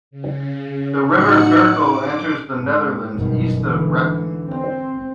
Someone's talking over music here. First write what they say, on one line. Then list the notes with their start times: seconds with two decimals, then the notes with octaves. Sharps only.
The river Berkel enters The Netherlands east of Rekken.
0.11 C#3
1.05 A2 D#4 F#4 F#6 C#7
1.62 D6
2.59 G#2
3.15 G1 F#2 B2 D#3
3.55 G#2 D3 E3
4.48 C4